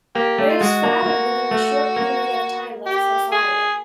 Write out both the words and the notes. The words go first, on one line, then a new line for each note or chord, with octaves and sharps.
Graves filed within the short period of time left for filing.
A#3 G4
A3
F4
G#3 F#4
A#3
A#3
A3
A#3
G4
G#4